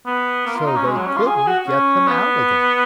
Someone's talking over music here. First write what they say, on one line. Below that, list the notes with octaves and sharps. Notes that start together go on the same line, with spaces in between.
So they couldn't get them out again.
B3
A#3
F4
D#4
C#4
G#3
F#3
C#4
F4
G#4
G#4
F#4
C#4
B3